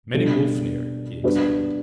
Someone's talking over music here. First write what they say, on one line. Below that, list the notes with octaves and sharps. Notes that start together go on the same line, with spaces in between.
"Many wolf near," he exclaimed.
B2 G3 D4 A4
G3 B3 D4 F#4 B4